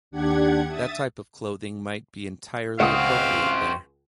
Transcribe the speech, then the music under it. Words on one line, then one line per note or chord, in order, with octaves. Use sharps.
That type of clothing might be entirely appropriate there.
D#2 D4 G4 F#5 G#6
E5 D#6 A6
C#2 C4 F#4 F5 F#5 D#6